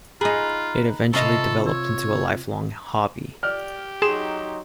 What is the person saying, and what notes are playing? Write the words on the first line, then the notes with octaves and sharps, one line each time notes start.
It eventually developed into a lifelong hobby.
D#4 F4 G#4 A#5 B5 F#6
C3 F4 A4 D#5 A5 B5 C#6
C#5 E6
G4 D5 F6
F#3 D#4 G#4 C6 E7